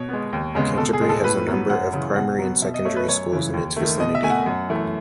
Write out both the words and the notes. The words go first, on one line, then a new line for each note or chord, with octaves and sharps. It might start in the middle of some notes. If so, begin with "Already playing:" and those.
Canterbury has a number of primary and secondary schools in its vicinity.
Already playing: B2 C#5
G#3 B3
D#2
C#3 G#3 B3
B2 A4
G#4
G#3 B3
A4
A2 B4
F#3 B3
F#2 F#5
C#3 E3
B2 F#5
F#3 B3
B2 E5
D#5
A3 C#5
B4
F#2 C#5
C#3 E3
D#2
D#3 A3
B2 D#5
E5
A3 G#5
F#5
F#2
E3 A3